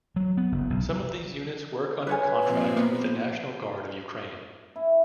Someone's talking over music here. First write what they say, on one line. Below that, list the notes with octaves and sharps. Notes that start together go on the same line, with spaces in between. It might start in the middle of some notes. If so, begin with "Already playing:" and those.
Some of these units work under contract with the National Guard of Ukraine.
F#3
B3
F#1
B1
B4 C#5 G#5
A#2 F3 C4
A#3 B3
E4